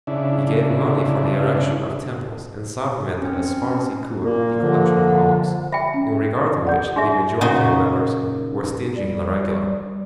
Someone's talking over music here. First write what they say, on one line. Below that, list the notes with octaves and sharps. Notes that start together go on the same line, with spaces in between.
He gave money for the erection of temples and supplemented as far as he could the collection of alms, in regard to which the majority of members were stingy and irregular.
C#3 D4 E4
C4 C#4
A#2 A#3
D3 F3
E5 G5 B5
C#4
D5 F#5 G6
D4 G#4 E5 C6
A#2 C#3 D#4 F#4 B4 C6
G3